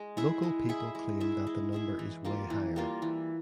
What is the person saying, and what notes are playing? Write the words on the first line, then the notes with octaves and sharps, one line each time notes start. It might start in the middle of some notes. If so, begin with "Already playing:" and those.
Local people claim that the number is way higher.
Already playing: G#3
E4 G#4 E5
G#3
E4 G#4 E5
G#3
E4 G#4 E5
G#3
E4 G#4 E5
E3
G3 A#3 F4
E3
G3 A#3 F4
E3